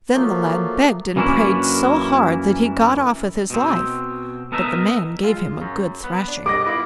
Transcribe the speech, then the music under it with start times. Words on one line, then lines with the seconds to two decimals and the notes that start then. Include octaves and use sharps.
Then the lad begged and prayed so hard that he got off with his life, but the man gave him a good thrashing.
0.14 F3 F#3 A3 A#3
1.16 F#2 E3 A#3 C#4 D4 E4
3.50 B2 C4
4.52 B3 A4 A#4 D#5 E5
5.23 G#3 F4
5.61 F#2
6.04 B3
6.28 D4
6.46 G3 D5 D#5 D6 A#6
6.66 B3 E4 F4